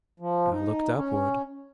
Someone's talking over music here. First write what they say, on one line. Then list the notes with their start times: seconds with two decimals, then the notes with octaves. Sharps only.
I looked upward.
0.20 F3
0.52 D#4
0.96 C#4